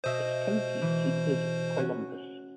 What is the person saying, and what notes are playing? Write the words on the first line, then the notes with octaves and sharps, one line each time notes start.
Its county seat is Columbus.
B2 C5 D#5 E5
E3
C#4 F#4